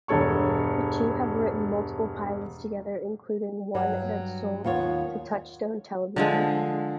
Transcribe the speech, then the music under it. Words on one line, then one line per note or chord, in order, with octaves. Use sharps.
The two have written multiple pilots together including one that sold to Touchstone Television.
E1 G2 A4 C#5 C#6
G2 F#3
D#2 B3 F4 C#5
D3 F3 G#3